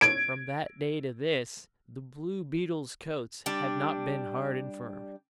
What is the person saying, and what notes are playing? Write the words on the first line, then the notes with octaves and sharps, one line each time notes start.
From that day to this the blue beetles' coats have not been hard and firm.
G#6 D7
G3 D4